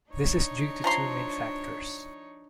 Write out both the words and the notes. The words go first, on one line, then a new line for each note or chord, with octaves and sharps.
This is due to two main factors.
D4 D#4 C#5
F3 A#5 C6